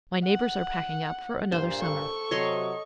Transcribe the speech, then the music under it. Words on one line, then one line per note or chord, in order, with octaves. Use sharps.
My neighbors are packing up for another summer.
F#5
G2 A#2 C5
A4 C#6
C3 F#3 C#5 D#5 C6